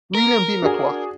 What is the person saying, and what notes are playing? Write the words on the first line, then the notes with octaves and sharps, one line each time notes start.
William B. McCulloch.
A#4
D4 F#4 G#4